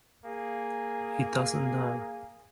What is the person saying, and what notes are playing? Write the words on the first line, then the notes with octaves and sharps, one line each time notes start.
He doesn't know.
A#3 G#4